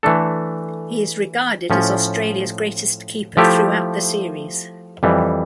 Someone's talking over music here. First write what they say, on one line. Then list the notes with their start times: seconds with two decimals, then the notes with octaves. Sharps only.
He is regarded as Australia's greatest keeper throughout the series.
0.03 E3 A3 D4 A4
1.70 A2 F3 C#4
3.37 F3 A3 E4 G4
5.03 F2 E3 G3